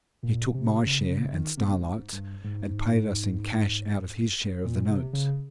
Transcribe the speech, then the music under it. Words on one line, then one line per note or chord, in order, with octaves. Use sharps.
He took my share and Starlight's, and paid us in cash out of his share of the notes.
A#2
C3
C#3
C#3
D#3
C3
A#2
C3
G#2
G2
G#2
A#2
C3
C#3